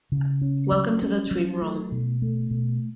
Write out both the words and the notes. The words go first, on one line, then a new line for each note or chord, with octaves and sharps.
Welcome to the dream realm.
C#3
C#4
F#3
C#4
F#3
A3
B2
A3
B2